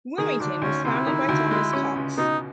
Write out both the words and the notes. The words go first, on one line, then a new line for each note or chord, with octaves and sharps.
Wilmington was founded by Thomas Cox.
D#3 G#4
D2 D4
D2 C#4
C3 E4
D#3
D2
G#3
C#4
C#2
B2 D#4